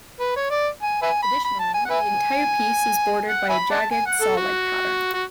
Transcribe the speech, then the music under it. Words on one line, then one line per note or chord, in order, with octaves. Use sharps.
Additionally, the entire piece is bordered by a jagged saw-like pattern.
B4
C#5
D5
G#5
B4 E5 G#5
B5
B5
A5
G#5
F#5
B4 E5 G#5
F#5
E5 G#5 B5
D5 F#5 A5
G#5
F#5
A4
F#4
F#4